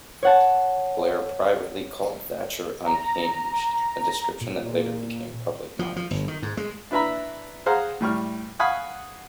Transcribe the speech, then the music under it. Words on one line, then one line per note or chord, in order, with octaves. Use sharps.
Blair privately called Thatcher "unhinged", a description that later became public knowledge.
C#5 F#5 A5
A#5
A#2
F3
F3
G1
D#3
G#2
G#3
D4 E4 B4 E5 A#5 B5
G#4 C5 F5 F#5 A#5
A2 G3 C#6 F6
F5 F#5 G#5 B5 C#6 D#6